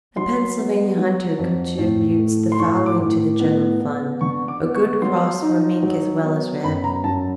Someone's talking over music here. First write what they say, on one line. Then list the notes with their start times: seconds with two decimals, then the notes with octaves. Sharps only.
A Pennsylvania hunter contributes the following to the general fund: a good cross for mink as well as rabbit.
0.17 F#3 C6
0.57 B3
0.98 F#3
1.39 F2
1.78 A2
2.19 A3
2.52 C6
2.59 A2 C#6
2.86 D6
3.00 A2
3.40 B3
3.80 B3
4.21 D3 C#6
4.48 D6
4.62 B3
4.75 C#6
5.02 F#3 C6
5.42 D#4
5.83 F#3
6.24 B3
6.63 F#2 B5
6.84 A#5
7.04 F#2 A5